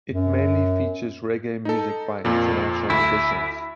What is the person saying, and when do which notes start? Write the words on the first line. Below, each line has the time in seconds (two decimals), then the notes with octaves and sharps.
It mainly features reggae music by international musicians.
0.11 F#2
1.65 D#4 A4
2.25 F2 A#2
2.90 D2 E4